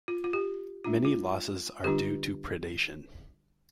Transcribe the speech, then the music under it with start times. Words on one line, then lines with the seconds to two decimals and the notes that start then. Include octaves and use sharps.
Many losses are due to predation.
0.08 F4
0.24 F4
0.33 G4
0.84 G#3 D4 F4
1.05 F4
1.84 D3 G3 D4 F4 G4